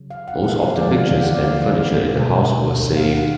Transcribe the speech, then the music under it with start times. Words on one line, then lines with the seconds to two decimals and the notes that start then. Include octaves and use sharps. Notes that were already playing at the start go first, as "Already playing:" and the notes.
Most of the pictures and furniture in the house were saved.
Already playing: C#3 F#3
0.10 F5
0.28 F#5
0.44 F#5
0.61 F5
0.77 D3 F3 G#3 D5
1.00 F5
1.23 F#5
1.34 D5
1.45 F5
2.12 B2 G#3
2.97 F5
3.13 F#5